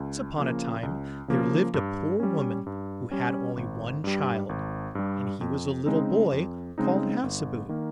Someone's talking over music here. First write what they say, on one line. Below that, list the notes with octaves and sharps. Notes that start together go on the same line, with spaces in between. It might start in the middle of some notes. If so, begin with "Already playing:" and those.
Once upon a time there lived a poor woman who had only one child, and he was a little boy called Hassebu.
Already playing: C#2
C#3 F3 A#3
C#2
C#3 F3 A#3
G2
G3 C#4
G2
G3 C#4
G#1
G2 G3
G#1
G2 G3
F2
C#3 G#3 C4 D#4
F2
C#3 G#3 C4 D#4
G1
D#3 A#3